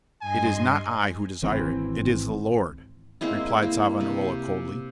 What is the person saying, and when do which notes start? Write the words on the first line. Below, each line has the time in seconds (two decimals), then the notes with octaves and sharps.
"It is not I who desire it; it is the Lord," replied Savonarola coldly.
0.21 G2 D#5 G#5 C6
1.42 G#1 E3 C4
3.21 G#3 A#3 C4 E4
3.62 A#3
4.00 C3